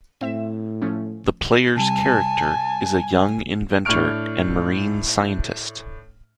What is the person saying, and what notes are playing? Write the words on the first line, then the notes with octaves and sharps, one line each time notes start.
The player's character is a young inventor and marine scientist.
A2 C4 E5 E7
F3 A3 C#4
C3 G3 G#5 A5
A2 D4 C#6 F6 D7